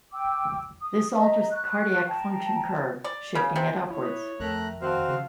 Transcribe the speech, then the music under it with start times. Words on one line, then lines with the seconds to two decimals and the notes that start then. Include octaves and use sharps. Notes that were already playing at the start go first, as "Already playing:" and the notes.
This alters the cardiac function curve, shifting it upwards.
0.12 G5 D6 E6
0.80 D#6
1.16 D#5 E5 A#5
1.50 C#6 F#6
2.06 G5 A5 A#5
3.04 D5
3.35 C#3
3.56 C3
3.90 E4 C#5
4.02 B4 D#6
4.40 F2 A3 A#4 E5 G5 A#5 F#6
4.81 D#3 C4 F#4 C5 F5 F#5 A5
5.09 C#3 F3